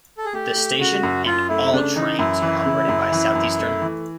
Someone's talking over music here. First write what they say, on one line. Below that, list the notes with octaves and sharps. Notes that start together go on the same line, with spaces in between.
The station and all trains are operated by Southeastern.
A4
G#4
A3 G4
A3
C#3 F#4
F#2
F#2 F4
A3 E4
C#3 D4
E3 D#4
F#2 E4
E3
C#3
F#2
E3
F#2
A3
E3